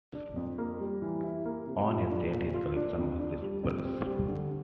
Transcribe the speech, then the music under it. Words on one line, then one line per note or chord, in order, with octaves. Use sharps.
On his death his collection was dispersed.
D4
F2
A#3
G3
E3
E4
A#3
C3
F4
D4
A#2
F4
D4
F2
D4
G3
F2
C4
G3
D3